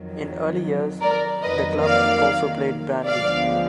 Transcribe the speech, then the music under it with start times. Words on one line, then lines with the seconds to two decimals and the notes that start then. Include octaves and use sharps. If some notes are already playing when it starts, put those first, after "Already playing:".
In early years, the club also played bandy.
Already playing: F2 D#3 F#3
1.01 A#4 D5
1.42 F2 D#3 F#3 A#3 B4 D#5
1.83 D5 F5
3.05 D2 D3 F3 G#3 B3 D5 F5